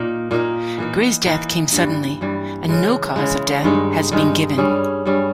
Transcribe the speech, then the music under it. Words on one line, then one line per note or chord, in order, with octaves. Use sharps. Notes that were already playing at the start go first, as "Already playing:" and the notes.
Gray's death came suddenly and no cause of death has been given.
Already playing: A#2 A#3 D#4 A#4
A#2 A#3 D#4 A#4
E3 A#3 D#4
E3 A#3 D#4
G2 E3 G3
G2 E3 G3
C#3 E3 G#3
C#3 E3 G#3
G2 D#3 G#3 D#4
G2 D#3 G#3 D#4
G2 G3 C#4 G#4
G2 G3 C#4 G#4